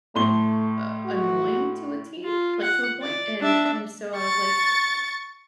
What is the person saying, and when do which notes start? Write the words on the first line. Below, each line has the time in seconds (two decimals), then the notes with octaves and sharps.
like, uh, annoying to a tee, like, to a point, and and so I was like,
0.15 A2 A3 C6 G7
1.06 F#4
2.23 F4
2.61 F#5
3.01 D5
3.40 D4 E5
4.16 C#6 A6